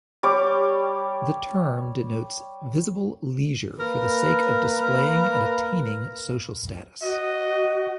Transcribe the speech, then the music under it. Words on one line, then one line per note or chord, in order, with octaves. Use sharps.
The term denotes visible leisure for the sake of displaying and attaining social status.
G3 C#5 D6
A#3 A#4 B4
F#4 D#5